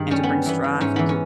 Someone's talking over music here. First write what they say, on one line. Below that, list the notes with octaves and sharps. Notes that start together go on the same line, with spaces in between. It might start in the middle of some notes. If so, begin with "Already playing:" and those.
and to bring strife into
Already playing: G2 D#3 G#4
G3 C#4
B3
G3
E3 B3
E3
G#2 C#4
E3 B3
C#4